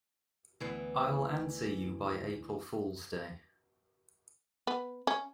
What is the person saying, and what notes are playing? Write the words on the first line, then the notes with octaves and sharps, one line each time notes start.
I'll answer you by April Fool's Day.
D2 E3 B3
B3
C#4